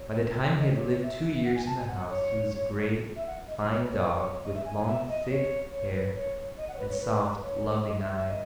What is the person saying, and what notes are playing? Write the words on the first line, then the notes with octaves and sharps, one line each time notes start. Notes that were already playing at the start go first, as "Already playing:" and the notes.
By the time he had lived two years in the house he was a great, fine dog, with long, thick hair and soft, loving eyes.
Already playing: C#5
D#5
C#5
C#5
E5
F#5
G#5
A5
G#5
F#5
C#5
E5
F#5
D#5
D#5
C#5
B4
C#5
B4
C#5
C#5
D#5
E5
G#5
G#5
E5
D#5
C#5
C#5
B4
C#5
D#5
F#5
C#5
B4
C#5
B4
C#5
D#5
E5
E5
D#5